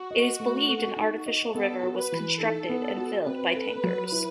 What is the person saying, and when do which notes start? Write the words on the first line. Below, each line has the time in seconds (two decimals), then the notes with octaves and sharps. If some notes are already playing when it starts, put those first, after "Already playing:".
It is believed an artificial river was constructed and filled by tankers.
Already playing: F#4
0.11 D#5
0.40 A3
0.69 A4
0.97 D#4
1.26 D#5
1.55 B3 A4
1.83 F#4
1.98 B4
2.12 E3
2.40 D#4 A4
2.69 B3
2.97 F#4
3.26 C4 B4
3.55 A4
3.84 F#3
4.12 E4